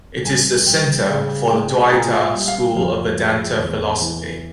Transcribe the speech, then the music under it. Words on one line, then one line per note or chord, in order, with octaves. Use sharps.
It is the center for the Dwaitha school of Vedanta philosophy.
G2 G#5
G2 G5
C#3 G5
G#3 G5
A#2 A#5
F5
E5
G3
F5
F2 F5
G#3
E2
E3